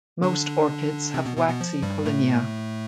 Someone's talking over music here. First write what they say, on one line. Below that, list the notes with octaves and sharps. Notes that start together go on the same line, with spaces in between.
Most orchids have waxy pollinia.
D3 D4
C3 C4
B2 B3
B2 B3
B2 B3
F3
G2 G3
A2 A3